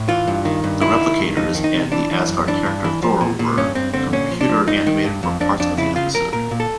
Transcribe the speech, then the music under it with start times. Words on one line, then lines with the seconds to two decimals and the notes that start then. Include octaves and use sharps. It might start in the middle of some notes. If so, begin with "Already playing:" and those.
The Replicators and the Asgard character Thor were computer-animated for parts of the episode.
Already playing: A2
0.09 E3 F4
0.27 G2
0.45 D#3
0.64 G2
0.81 D#3 E4
1.00 D#3
1.18 G2
1.37 F2 D#4
1.55 D#3
1.64 D#4
1.74 C3
1.92 E3 D4
2.11 E3
2.28 F#2
2.48 E3 D4
2.66 G2
2.85 E3
3.03 F3
3.21 A#2
3.39 A#2
3.57 G2 C#4
3.75 G2 C4
3.94 D3 C4
4.13 A#2 C#4
4.31 F3
4.41 D4
4.49 F3
4.67 G2 D#4
4.87 D#3
5.05 G2
5.23 F2
5.40 F2 D4
5.60 F2 D4
5.77 C#3 E4
5.96 C#3 F4
6.14 F2 A#4
6.33 A#2 A#4
6.51 A#2
6.60 A4